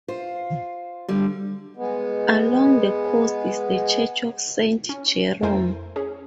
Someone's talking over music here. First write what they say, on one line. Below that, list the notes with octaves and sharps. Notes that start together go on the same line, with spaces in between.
Along the coast is the church of Saint Jerome.
F4 C5
D3 G3
G#3 B3
C#4
F2 A3 E4 A#4 C5 G#5
C#4 G#4